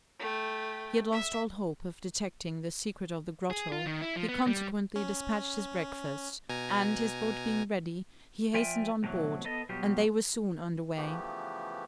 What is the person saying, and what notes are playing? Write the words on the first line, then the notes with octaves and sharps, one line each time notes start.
He had lost all hope of detecting the secret of the grotto; he consequently despatched his breakfast, and, his boat being ready, he hastened on board, and they were soon under way.
A3 G5
E5
G#4
F4
D#3
E4
F3
B3
G3
C#4
B2 G#5 A#5
F3 F4 D5 E5 G5 G#5
E2 A2 C3 E3 F#3
B3 A4 D#5
B2 F#3 G3 B3 F4 G4
C#3 E3 F3 A3 B3 G4